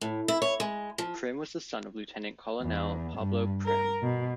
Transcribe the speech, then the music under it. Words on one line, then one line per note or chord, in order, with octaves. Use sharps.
Prim was the son of lieutenant colonel Pablo Prim.
A2
E4
C#5
G#3
F3
E2
G2
A#4
B2